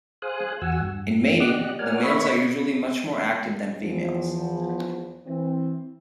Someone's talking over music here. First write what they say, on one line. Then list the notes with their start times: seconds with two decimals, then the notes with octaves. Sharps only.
In mating, the males are usually much more active than females.
0.22 G#4 C5 F5 G#5 D#6 F#6
0.61 E2 F#4 F#5 G#5 E6
0.81 G2
1.40 G4 D5 D#5 F#5 F#6
1.79 A#4 C#5 D5 F#5 G#5 F6
2.03 B4 C#5 D#5 E5 B5 C#6
3.81 E2 F3
5.27 E3 C4